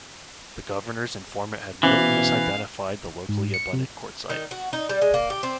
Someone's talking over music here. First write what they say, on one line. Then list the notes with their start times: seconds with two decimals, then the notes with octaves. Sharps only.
The Governor's informant had merely misidentified the locally abundant quartzite.
1.83 B2 E3 C#4 C5 F5 D6
3.29 G#2
3.54 C#7
3.73 C3
4.30 D#3
4.51 F#4
4.73 D#4
4.89 G3
5.02 G#3
5.14 A#3
5.30 G4
5.43 C4